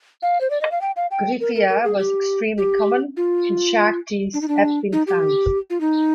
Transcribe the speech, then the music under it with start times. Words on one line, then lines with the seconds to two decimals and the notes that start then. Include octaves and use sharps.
"Gryphaea" was extremely common, and shark teeth have been found.
0.22 F5
0.41 C5
0.50 D5
0.61 D#5
0.72 F5
0.81 G5
0.96 F5
1.11 G5
1.40 A#4
1.55 A#4
1.69 A#4
1.84 G#4
1.99 G4
2.58 G4
3.17 F4
4.34 D4
4.42 D#4
4.48 D4
4.93 D#4
5.07 G4
5.70 F4
5.81 D#4